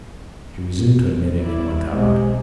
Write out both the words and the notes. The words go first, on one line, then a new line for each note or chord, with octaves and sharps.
She resumed her knitting and went out.
G3 E4 D5
B1 C3 G#3